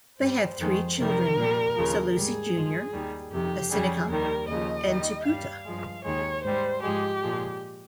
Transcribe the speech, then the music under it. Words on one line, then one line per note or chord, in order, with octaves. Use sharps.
They had three children: Sailosi Junior Asenaca, and Tupoutu'a.
G2 G3 C5
F2 D#3 G#3
F2 C3 D#3 G3 A#4
A#2 G3
D#2 C#3 F3
G#2 G3 G#4
G2 F3 G#3
D#2 D#3 G3
F2 C3 D#3 G4
F2 C#3 G3 G#4
D#2 D#3 G3 A#4
D#2 C#3 F3 D#5
D#2 D#3 G3
G2 G3 F5
G2 F3 G#3
D#2 D#3 G#3 C#5
G#2 G3 C5
G#2 F3 G#3 G4
A#2 F3 G#3